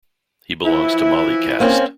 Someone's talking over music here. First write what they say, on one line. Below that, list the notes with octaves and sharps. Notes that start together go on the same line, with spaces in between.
He belongs to Mali caste.
E3 F3 E4
A#3 C4 C#4